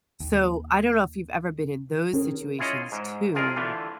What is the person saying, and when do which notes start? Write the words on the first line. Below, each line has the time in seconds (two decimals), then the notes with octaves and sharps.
so, I don't know if you've ever been in those situations too,
0.20 D#2
2.13 D#3 C#4 G#4 A#4
2.59 E4 F4 G#4 C#5 D#5
2.92 G#2
3.35 C2 F2 F4 G#4 A#4
3.56 D3 E3 A3 F4